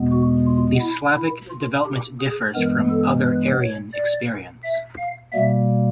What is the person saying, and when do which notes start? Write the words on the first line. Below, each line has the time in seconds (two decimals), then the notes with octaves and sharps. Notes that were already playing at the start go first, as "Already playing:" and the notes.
The Slavic development differs from other Aryan experience.
Already playing: E2 B2 G#3 B3
0.12 F#4
0.47 F4
0.81 E4
1.16 E4
1.50 F4
1.85 G4
2.20 G#4
2.54 G2 E3 G#3 B3 A#4
2.90 A4
3.25 B4
3.59 C#5
3.93 D5
4.63 E5
4.98 F5
5.32 B2 G3 A#3 E5